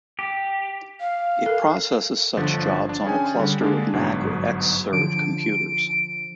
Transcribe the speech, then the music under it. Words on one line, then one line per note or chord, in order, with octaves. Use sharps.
It processes such jobs on a cluster of Mac or Xserve computers.
G4
F5
A4 A#4
G1 D3 F3 A6
D4
C#4 G#4 G5 G#5
D3 G3
D3 G#3 A#3 D4
G1 G#2 B2 F#3
D3 F3 D4 D7